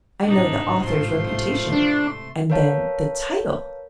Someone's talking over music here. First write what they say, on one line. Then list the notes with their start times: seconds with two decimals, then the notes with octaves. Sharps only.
"I know the author's reputation; and then, the title!"
0.23 A1 G#2 C3 D4 D#4
0.83 F3 A3 C6
1.72 D4
2.50 A#4 B4 C#5 F5 A5